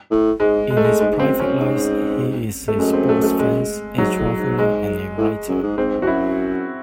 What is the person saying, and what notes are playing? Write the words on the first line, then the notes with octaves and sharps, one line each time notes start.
In his private life, he is a sports fan, a traveller and a writer.
A2
G#2 G#3
G#3
A3
G#3
G#2 G#3
G#2
F#2 C4
F#2 C#4
G#2
A3
F#2 G#3
C4
A3
A3
G#3
G#2 F#3
A2
G#2
G#3
A2
F#2
G#2
G#2 C4
E2 F#4
F#2 E4